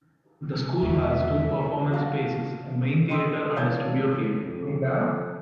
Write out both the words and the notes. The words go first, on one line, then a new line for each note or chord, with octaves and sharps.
The school has two performance spaces, a main theater and a studio theater.
E2 G#3 E5
F#4 F5 A5
D#5 G5 C6 D#6 E6
C#5 D5 F5 A5 G6 G#6
F2